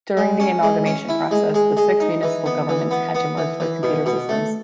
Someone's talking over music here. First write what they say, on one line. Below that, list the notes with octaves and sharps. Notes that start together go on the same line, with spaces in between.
During the amalgamation process, the six municipal governments had to merge their computer systems.
G#3
C#4
G#3
C#4
E4
G#3
G#3
G#3
D#4
E3
B3
E3
B3
B3
E3
E3
B2
B2
A3